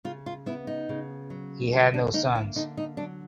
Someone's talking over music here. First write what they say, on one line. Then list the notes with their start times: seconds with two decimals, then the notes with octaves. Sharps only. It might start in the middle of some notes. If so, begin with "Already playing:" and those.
He had no sons.
0.05 C#3 F4
0.26 F4
0.46 B3 E4
0.67 D#4
0.89 C#3
1.30 F#3
1.73 D3 C#4
1.94 D4
2.14 A#3 D#4
2.35 E4
2.55 D3 D#4
2.77 D#4
2.97 F#3 D4